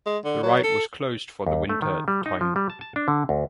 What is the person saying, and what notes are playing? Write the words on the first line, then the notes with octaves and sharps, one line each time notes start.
The ride was closed for the winter at the time.
G#3
D3
F#3
A4
D#2
A3
D#3
G3
D#4
F3
G3
A5
A5
D4
D3
D2